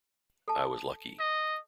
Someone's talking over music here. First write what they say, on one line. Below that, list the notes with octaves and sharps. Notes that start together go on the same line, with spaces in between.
I was lucky.
A4 A5
D#5